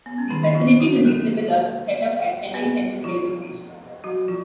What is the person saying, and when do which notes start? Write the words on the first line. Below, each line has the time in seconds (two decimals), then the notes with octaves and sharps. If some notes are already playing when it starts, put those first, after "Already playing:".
The facility will be similar to the setup at Chennai Central railway station.
0.06 B3
0.18 C#4
0.30 D#3 D#4
0.42 D#3 D#4
0.55 F3 F4
0.80 F#3 F#4
1.05 A#3 A#4
2.54 B3 B4
3.04 F3 F4
4.04 F#3 F#4
4.28 F3 F4